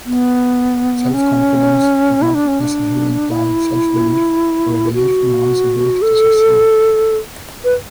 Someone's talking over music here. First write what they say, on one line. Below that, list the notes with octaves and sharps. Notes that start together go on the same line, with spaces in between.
Self-confidence does not necessarily imply "self-belief" or a belief in one's ability to succeed.
B3
C#4
E4
D4
C#4
D4
E4
F#4
A4
B4